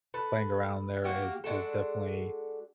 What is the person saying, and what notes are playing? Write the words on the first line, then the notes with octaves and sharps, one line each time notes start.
playing around there is is definitely
A4 B4
A#3 F#4 G4
G#3 D4 F#4 A4